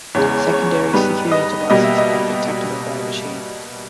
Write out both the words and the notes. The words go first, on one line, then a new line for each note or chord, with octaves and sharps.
Secondary security devices are detectable by a machine.
E2 C#3 G#3 C#5
C#5
G#2 G3 B3 B4
D#5
B2 G3 A#3 D#5
E5
D#5